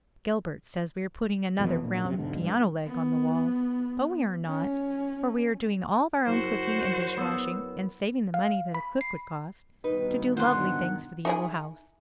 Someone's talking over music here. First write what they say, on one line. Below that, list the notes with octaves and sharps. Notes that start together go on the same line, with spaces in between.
Gilbert says we are putting another grand piano leg on the walls, but we are not, for we are doing all our own cooking and dishwashing and saving the money that a cook would cost, to do lovely things for the Yellow House.
F2 B2 E3
A#1 A#2
F#2 C3
B1 G#2 D3
G2
B3
C#4
F#1 F#4 C5
B3 D#6 E6
F5
B5
C7
G2 B2 D#3 D#4 B4
D3 F4 C5 F#5 C6
D#4 E4 G#4